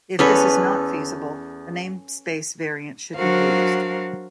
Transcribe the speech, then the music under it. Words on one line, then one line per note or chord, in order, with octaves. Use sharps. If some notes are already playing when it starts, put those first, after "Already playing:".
If this is not feasible, the namespace variant should be used.
E2 C#4 A4 B4
F#3 D4 F#4 A#4 C5 F5